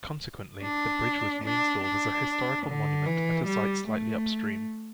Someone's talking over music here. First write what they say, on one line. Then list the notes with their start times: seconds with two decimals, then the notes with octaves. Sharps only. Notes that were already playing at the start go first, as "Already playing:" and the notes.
Consequently, the bridge was reinstalled as a historical monument at a site slightly upstream.
0.62 D4
1.43 D4
1.85 D4
2.66 D3
3.06 E3
3.46 G3
3.87 A3